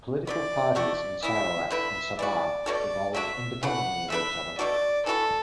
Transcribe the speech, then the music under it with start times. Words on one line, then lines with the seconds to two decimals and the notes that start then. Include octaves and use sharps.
Political parties in Sarawak and Sabah evolved independently of each other.
0.27 D3 F#3 B3 D5
0.75 D3 A3 F#4 D5
1.22 E3 B3 E4 E5
1.70 D3 A3 E4 B4 E5
2.19 E3 B3 F#4 D5
2.66 B2 A3 F#4 A4 D5
3.15 D3 F#3 D4 F#4 E5
3.63 E3 A3 D4 B4 F#5
4.10 A3 D4 B4 E5
4.58 B2 A3 D4 F#4 D5
5.06 E3 D4 F#4 A4 B4